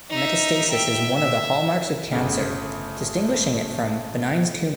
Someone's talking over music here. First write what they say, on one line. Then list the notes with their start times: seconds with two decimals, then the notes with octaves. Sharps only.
Metastasis is one of the hallmarks of cancer, distinguishing it from benign tumors.
0.10 D#4 E5
0.70 E5 G5
1.15 E5
2.13 G1 C#3 A3